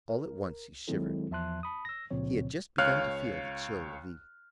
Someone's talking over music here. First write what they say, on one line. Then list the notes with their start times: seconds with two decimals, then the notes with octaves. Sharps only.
All at once he shivered; he had just begun to feel the chill of evening.
0.10 A#4
0.88 D#3 F#3 G#3 C4 E4 A4
1.31 E2 F3 E5 A5 C6 F#6
1.63 A5 B5 D#6
1.85 E6 A#6
2.11 C#2 A#2 C#3 F3 C4 C#5
2.78 C#2 C#5 F5 F6 F#6